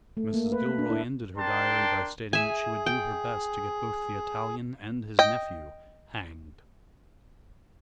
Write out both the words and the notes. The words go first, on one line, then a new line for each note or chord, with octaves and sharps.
Mrs. Gilroy ended her diary by stating that she would do her best to get both the Italian and his nephew hanged.
A3
A#3
B4
D4
E4
D4 A#4 G5 A5 C6
G#4 E5 G#5
G5
D#5 G5